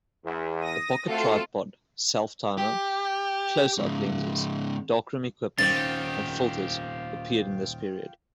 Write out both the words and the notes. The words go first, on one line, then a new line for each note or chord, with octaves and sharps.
A pocket tripod, self-timer, close-up lenses, darkroom equipment and filters appeared in this period.
E2
D#6 A#6
A3 C4 F4 F#4 A4
G4
G#2 C#3
D#1 D#3 C4 C#4 F4 G4 A6